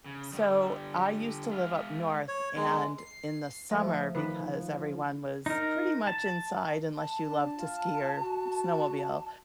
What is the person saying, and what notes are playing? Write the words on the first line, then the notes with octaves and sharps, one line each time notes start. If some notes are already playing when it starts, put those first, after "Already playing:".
So, I used to live up North, and in the summer, because everyone was pretty much inside, unless you love to ski or snowmobile,
C#3
D3 G3
G#3 E5 F5
C#5
G#3 B3 D4 A#5
C7
F3 A3
D#3 B4
D#4 A#4
A5
A5
D4
F4
F#4